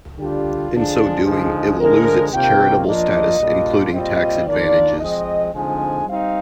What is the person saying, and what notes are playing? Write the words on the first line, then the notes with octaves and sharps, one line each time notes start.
In so doing it will lose its charitable status including tax advantages.
D3 G3 D4 F4 G4
D3 F3 G#3 D4 F4 G#4
D3 F3 G#3 D#4
D3 F3 G#3 A#4
C3 D#3 A#3 F4 G5
F3 A#3 D4 F4 D#5
A#2 G3 D4 F4
A#2 G3 C4 F4 D#5
D#3 A#3 D4 F4 D5
F3 G#3 C4 D#5
D3 F3 G#3 C4 D#4 G#5
G3 C4 D#4 F5